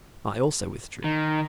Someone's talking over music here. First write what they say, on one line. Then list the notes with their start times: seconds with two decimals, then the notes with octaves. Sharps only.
I also withdrew.
1.04 D#3